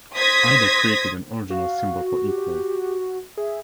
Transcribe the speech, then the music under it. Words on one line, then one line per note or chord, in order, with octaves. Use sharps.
Aida created an original symbol for "equal".
C5 D#6 G#6 A#6 B6
F#4 F5
G4
G#4 E5